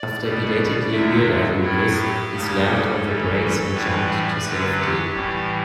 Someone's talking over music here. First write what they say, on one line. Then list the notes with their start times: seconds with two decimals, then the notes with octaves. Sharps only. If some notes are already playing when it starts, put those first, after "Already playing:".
After belatedly realising this, he slammed on the brakes and jumped to safety.
Already playing: D5
0.21 B2 G3
0.91 E2 D3 F#3 E5
1.61 A2 F#3 E4
1.97 G4
2.31 E2 C#3 G3
2.66 A4
3.01 F#2 E3 G3
3.72 A2 E3 G3 B4
4.06 D5
4.42 F#2 D3 F#3 B4
4.78 G4
5.13 A2 E3 G3